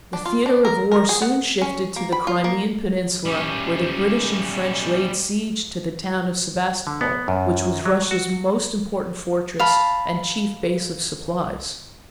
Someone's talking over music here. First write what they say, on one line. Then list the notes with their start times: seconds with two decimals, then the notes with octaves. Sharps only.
The theater of war soon shifted to the Crimean Peninsula where the British and French laid siege to the town of Sebastopol which was Russia's most important fortress and chief base of supplies.
0.13 D4
0.26 F4
0.46 D4
0.65 A#4
0.91 A#4
1.09 G#4
1.22 F#5
1.61 C#4
1.96 A#3
2.12 B5
2.27 F4
2.44 A#3
3.26 G3 C#4
6.87 D3
7.01 B3
7.28 F#2
7.85 F#3
8.11 F#4
9.59 F5 A5 B5